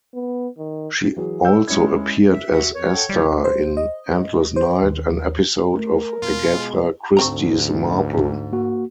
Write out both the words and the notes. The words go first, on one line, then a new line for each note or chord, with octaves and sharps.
She also appeared as Esther in "Endless Night", an episode of "Agatha Christie's Marple".
B3
D#3
E3 F#3 G#4
E6 G6
G#3 C#4 E4 G#6 C#7
E5
F#4 E5 F#5
F2 C#5
A4 F#5 G5
G#2 D3 F3 G3
C5
D#5
C5
D#2
A3 A#4
B2 F4
G#3
D2 G#2 A3 C4 A#5
A#3 F#4